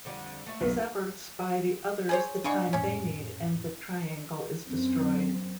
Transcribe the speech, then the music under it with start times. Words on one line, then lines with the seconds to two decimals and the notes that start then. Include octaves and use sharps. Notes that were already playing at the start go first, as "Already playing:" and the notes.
His efforts buy the others the time they need and the Triangle is destroyed.
0.05 F2 D3 G3
0.46 A3 E5
0.61 B1
2.09 G#4 C5 C#5
2.44 C#3 G#3 D4 D5 F#5 C#6
2.73 F2 A2 C#4 C#5
4.67 F#2 F#3 C4